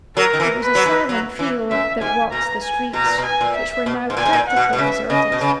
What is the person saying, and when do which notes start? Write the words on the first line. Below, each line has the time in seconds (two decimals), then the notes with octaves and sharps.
It was a silent trio that walked the streets, which were now practically deserted.
0.16 F#3 A#4
0.33 D#3
0.40 E3
0.62 B4
0.75 F#3
0.86 E3
1.09 F#3
1.39 E3
1.71 F#2 E5
2.01 G#2 G#5
2.32 B2 A#5
2.63 G#5
2.93 B2 A#5
3.06 A#2
3.18 B2
3.25 G#5
3.41 A#2
3.55 E5
3.86 B2
4.10 G#2
4.17 A#2 G#5
4.26 G#2
4.33 A#2
4.48 F#5
4.56 B2
4.73 B2
4.78 C#3 E5
5.10 C#3 D#5
5.32 B2
5.41 C#3